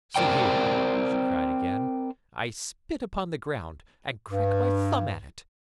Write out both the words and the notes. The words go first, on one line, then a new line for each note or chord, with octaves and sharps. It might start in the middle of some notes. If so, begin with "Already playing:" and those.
See here!" she cried again--"I spit upon the ground, and crack my thumb at it!
C4 A#4 C5 D5 G5
G2